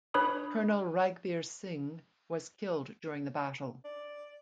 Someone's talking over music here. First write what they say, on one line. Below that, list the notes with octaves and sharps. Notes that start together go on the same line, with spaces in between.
Colonel Raghbir Singh was killed during the battle.
D4 B4 C#5 B5 D#6
D5